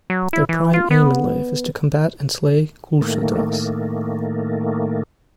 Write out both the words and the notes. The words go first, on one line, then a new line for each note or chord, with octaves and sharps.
Their prime aim in life is to combat and slay Kulshedras.
F#3
E4
E3
F4
B3
A2 D#3 A3 A#3